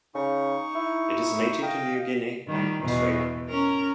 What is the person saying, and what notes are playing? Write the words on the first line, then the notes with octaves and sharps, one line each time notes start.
It is native to New Guinea and Australia.
C#3 D#4 C#6
E4
D#5 F5 G5
D#3 G3
E2 B2
C#4 A#4